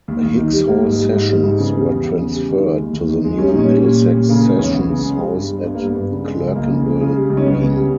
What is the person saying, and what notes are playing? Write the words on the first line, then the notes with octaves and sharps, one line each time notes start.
Hicks Hall sessions were transferred to the new Middlesex Sessions House at Clerkenwell Green.
D#2
D#2
D#3
G3
G3 A#3
G#2
G3
G#2
G3
G#2
C#3 B3
G3
E2
E2
C#3
G3
D#3
G#3
D#2
D#2
D#3
G#3
G3 C#4
A#2 D#4
C#4
G3
A#2
G3
A#2
C#3 A#3
G#3 B3
E2 C#4
E2 B3
C#3
G#3
G3
G2
G3
G2 B3
A#3
G3
B3
G2
C#3
G#3
C#2
C#2 A#3
C#3
G#3
C#3
G3
C#2
C#4
C#2 B3
C#3
G3